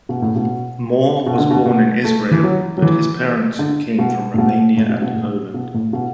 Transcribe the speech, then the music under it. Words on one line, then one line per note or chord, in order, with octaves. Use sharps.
Mor was born in Israel but his parents came from Romania and Poland.
B2
A2
B2
B2
D3
B2
B2
A3
E3
F#3
F#3
E3
D3
B2
A2
B2
A2
B2
B2
A2
B2
A2
B2